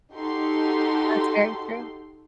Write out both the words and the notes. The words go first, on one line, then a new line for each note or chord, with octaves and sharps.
That's very true.
D#4 F#4 G4 A4 C6